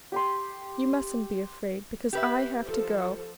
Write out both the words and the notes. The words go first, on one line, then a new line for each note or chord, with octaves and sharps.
You mustn't be afraid, because I have to go.
G4 G5 C6
G4 B4 E5
F3 A4